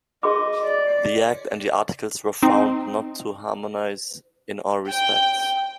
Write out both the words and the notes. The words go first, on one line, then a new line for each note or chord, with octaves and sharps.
The act and the articles were found not to harmonize in all respects.
G#4 D#5 C6 D6
D5
C4 D#4
G5